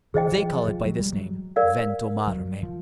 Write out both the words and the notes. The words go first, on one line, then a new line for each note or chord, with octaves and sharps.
They call it by this name--Ventomarme.
E3 G#4 C5 D#5 G5
F3
F3
F#3
G3
F#3
A#4 D5 F5
F#3
F3